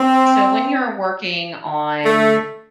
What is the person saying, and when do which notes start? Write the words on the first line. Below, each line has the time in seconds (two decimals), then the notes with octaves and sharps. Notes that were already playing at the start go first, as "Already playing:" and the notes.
so, when you're working on
Already playing: C4
2.05 A3